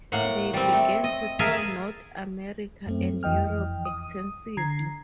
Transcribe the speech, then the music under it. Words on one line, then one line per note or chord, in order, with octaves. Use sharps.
They began to tour North America and Europe extensively.
A2 A#3 F#5
G3 C4
A3
D#5
G#4 A#4 E5 F5 G#5 A5
F#2 A3 C4
F2 E3 D#5 G5 F6
D#6
D3 A#5 G#6 C7